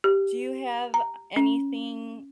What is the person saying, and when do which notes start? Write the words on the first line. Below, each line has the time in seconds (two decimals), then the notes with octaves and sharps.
Do you have, uh, anything,
0.04 G4
0.94 A#5
1.36 C#4